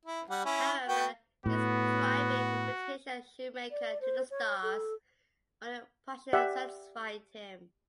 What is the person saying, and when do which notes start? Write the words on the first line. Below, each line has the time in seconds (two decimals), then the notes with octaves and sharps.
However, his thriving reputation as 'Shoemaker to the Stars' only partially satisfied him.
0.05 E4
0.30 G3 F#5
0.45 C#4 E4
0.88 B3 F#4 G5
1.46 A2 B3 F#4
3.71 D5
4.01 C5
4.30 C#5
4.62 A4
6.33 G4 D5 E5 F#5